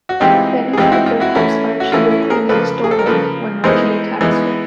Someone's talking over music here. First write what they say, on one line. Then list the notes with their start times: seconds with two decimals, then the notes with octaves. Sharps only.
Betty Cooper helps Archie with cleaning a store room, when Reggie attacks her.
0.09 F#4
0.20 E3 G#3 C4 D#4 F4 G4
0.73 G#4
0.78 E3 G#3 C4 D#4 F4 G4
0.92 E4 F#4
1.06 F4
1.20 E4 F#4
1.35 E3 A3 C#4 E4
1.80 F#4
1.92 E3 A3 C#4 E4 F4
2.11 E4
2.30 G#4 A#4
2.49 C#3 F3 A#3 A4 B4
2.84 G#4
2.91 A4
2.99 A#4
3.06 C#3 F3 A#3 A4 B4
3.64 E3 G#3 B3 D#4 A#4 C5
4.21 E3 G#3 B3 D#4